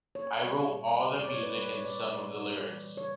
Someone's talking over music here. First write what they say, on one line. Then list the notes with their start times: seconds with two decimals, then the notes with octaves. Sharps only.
I wrote all the music and some of the lyrics.
0.15 A#3 C#5
0.44 G3
0.72 A#2
1.00 A#2
1.19 D5
1.29 A#3 C#5
1.43 B4
1.56 G3 B4
1.71 C#5
1.85 A#2 D5
2.13 A#2
2.41 G3
2.69 E3
2.97 C#3 C#5